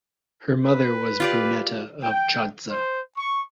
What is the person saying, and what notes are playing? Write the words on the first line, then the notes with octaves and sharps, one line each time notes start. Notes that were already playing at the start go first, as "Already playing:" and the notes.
Her mother was Bruneta of Chodcza.
B4
F4 G4 D5
G5
C5
C#6